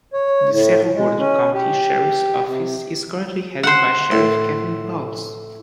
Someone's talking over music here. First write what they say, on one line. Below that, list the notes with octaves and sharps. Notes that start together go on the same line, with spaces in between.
The Cerro Gordo County Sheriff's Office is currently headed by Sheriff Kevin Pals.
C#5
A2
G#3
C#4
G4
C3
C5 F#5
A2